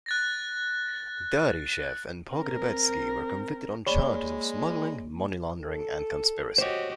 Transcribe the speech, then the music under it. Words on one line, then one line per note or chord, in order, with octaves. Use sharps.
Darichev and Pogrebezskij were convicted on charges of smuggling, money laundering and conspiracy.
F#6 A6 A#6
C4 A#4
G#3 A#3 C#5 D5 B5 G7
A4
F#4 G4 C5 C#5 D#5